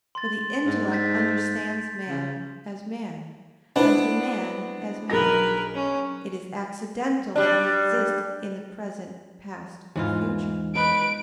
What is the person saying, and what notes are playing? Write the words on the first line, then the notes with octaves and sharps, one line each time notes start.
For the intellect understands man, as man: and to man, as man, it is accidental that he exist in the present, past, or future.
C6 A6
G#2
G6 A6 B6
C#3
B3 D4 E4 C5
B1 G#4 A#4 B4 A#6
C#4
G3 D4
E2 G#2 E3 F4
D#4 B4 D7